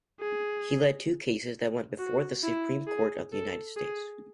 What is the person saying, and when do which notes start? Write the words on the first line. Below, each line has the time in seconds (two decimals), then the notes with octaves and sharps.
He led two cases that went before the Supreme Court of the United States.
0.20 G#4
1.99 F#4
2.43 E4
2.87 G#4
3.32 A4
3.76 G#4